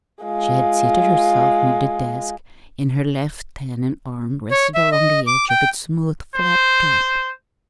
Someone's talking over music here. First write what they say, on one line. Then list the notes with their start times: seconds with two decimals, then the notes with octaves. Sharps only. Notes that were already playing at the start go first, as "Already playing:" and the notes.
She had seated herself near the desk, and her left hand and arm rested along the edge of its smooth flat top.
0.25 G#3 F4
4.51 C#5
4.75 E5
4.92 D#5
5.27 D6
5.49 G5
6.35 C5